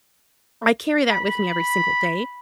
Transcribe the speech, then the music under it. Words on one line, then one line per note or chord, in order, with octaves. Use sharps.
I carry that with me every single day,
B5